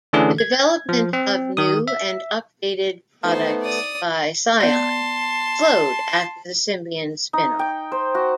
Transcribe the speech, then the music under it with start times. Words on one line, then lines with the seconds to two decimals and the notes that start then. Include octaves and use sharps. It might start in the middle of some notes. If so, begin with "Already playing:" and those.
The development of new and updated products by Psion slowed after the Symbian spin-off.
0.13 D3 E3 A3 C#4 D4 G#4
0.38 G#6
0.89 F3
1.13 C4
1.57 D#3 D#6
1.88 E5
3.24 A3 B3 D#4 C5
3.62 D5 D#6
4.61 B3 D5 A5 C6
7.33 D#4
7.59 G5
7.92 C5
8.15 F#4